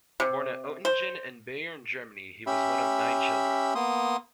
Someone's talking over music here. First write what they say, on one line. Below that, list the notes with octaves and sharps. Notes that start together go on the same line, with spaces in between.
Born at Oettingen in Bayern, Germany, he was one of nine children.
C3
C5
C#4 G4 E5 B5
A#3 B3 C6 D#6